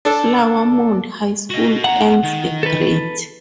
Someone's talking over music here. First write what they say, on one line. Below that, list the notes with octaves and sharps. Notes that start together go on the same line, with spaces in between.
Flower Mound High School earns a Great!
D4 A4
F#4 D#5
E2 F#5 A#5
D#3
A4 B4